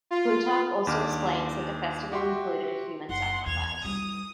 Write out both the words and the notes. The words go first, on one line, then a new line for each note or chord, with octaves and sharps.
Plutarch also explains that the festival included a human sacrifice.
F4
D#2 D4 D6 F6
F#4 G4 E5 C6
F#1 F#5 C6
E2 G#6 F7
G3 E4 D#6